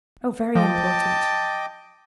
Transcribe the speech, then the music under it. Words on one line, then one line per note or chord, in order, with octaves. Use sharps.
"Oh! very important."
F3 D#5 G5 A5 D6